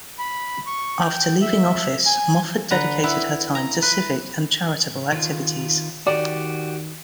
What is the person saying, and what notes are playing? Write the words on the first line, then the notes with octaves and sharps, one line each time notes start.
After leaving office, Mofford dedicated her time to civic and charitable activities.
B5
C#6
G5
E5
G#5
D3 B4 A#5
B3 E4
A#5
B4
D#3 F4
D#3 F#4 G4 D5